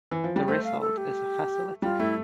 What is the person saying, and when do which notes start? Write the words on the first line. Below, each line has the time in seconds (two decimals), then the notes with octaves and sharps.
The result is a facility.
0.11 E3
0.24 F3
0.36 G3
0.48 A3 C5
0.64 F5
0.81 A4
0.97 G4
1.82 G3 F4
2.00 A3 E4